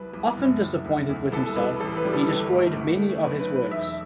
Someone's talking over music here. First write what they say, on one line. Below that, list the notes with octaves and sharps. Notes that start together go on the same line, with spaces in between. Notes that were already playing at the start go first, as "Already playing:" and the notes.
Often disappointed with himself, he destroyed many of his works.
Already playing: C2 F#3 B4
C2
F#1
F#1
D2
D2
C2 A4
C2 B4
A1 A4
B4
G3
A4
G1 B4
A3
D2
A3
B1 B4
B4
B1
B4
E1 E5